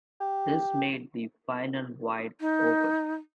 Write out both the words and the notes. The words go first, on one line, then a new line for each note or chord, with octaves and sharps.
This made the final wide open.
G4
D#4